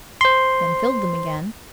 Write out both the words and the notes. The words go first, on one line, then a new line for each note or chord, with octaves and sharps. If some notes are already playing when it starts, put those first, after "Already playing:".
Then filled them again.
C5 C6